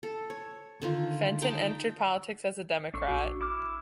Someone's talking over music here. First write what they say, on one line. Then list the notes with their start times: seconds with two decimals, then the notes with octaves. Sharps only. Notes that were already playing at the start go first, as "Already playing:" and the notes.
Fenton entered politics as a Democrat.
0.03 A4
0.30 C#5
0.82 D3 D#3 F4
1.42 D#4 A#4 G5 A5
2.94 A1 D4 A4 C#6
3.08 A#1 F#4
3.41 E4 D6 F6